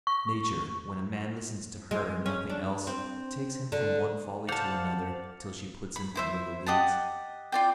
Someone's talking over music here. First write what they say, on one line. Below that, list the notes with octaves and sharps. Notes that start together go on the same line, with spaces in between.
"Nature, when a man listens to her and nothing else, takes him from one folly to another, till she puts him under the Leads."
C#6
G#3
C#4
D4
C4
D3
C5 D5 F5 F#5 A5
B5
E4 C5 E5
G4 D#5 F#5 A5
F4 D5 G5